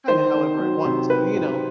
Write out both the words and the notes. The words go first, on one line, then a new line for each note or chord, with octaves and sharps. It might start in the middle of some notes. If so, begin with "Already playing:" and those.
kinda however I want to, you know,
D#3 C5
D#3
F#3
C3
C3 B4
C3